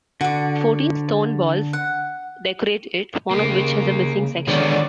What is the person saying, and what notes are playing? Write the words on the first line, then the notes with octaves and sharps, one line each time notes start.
Fourteen stone balls decorate it, one of which has a missing section.
D3 F#4 D5
F#5
C#3 A#3 G4
D3 D#3 G#3 B3 C#5 D5